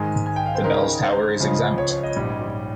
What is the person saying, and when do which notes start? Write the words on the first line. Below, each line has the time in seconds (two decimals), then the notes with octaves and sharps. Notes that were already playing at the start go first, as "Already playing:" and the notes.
The bells tower is exempt.
Already playing: G#2 D#3 G#3 G#5
0.26 G#5
0.36 G5
0.46 F5
0.55 C5
0.64 C#2 C#3 G#3 D#4 A#4
1.02 C5
1.40 C#2 C#3 F3 G#3 C#4
1.78 C#5
1.90 C#5
2.03 D#5
2.16 A#1 G#2 G3 C#4